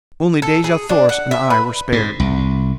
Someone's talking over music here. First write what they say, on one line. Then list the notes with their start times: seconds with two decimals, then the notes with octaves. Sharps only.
Only Dejah Thoris and I were spared.
0.42 A4
0.64 G#4
0.89 D4
1.09 F#5
1.31 E5
1.50 B4
1.92 G#2
2.20 C2